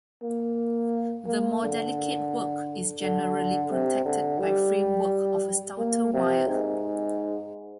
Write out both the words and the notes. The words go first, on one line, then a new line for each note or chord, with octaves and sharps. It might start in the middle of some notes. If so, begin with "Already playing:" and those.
The more delicate work is generally protected by framework of stouter wire.
A#3
A#3
D3
D3
C3
D3
G3
A#3
C3
G#2